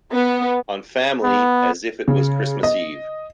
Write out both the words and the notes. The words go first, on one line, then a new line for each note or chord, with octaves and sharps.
On family, as if it was Christmas Eve.
B3
B3
C#3
D#5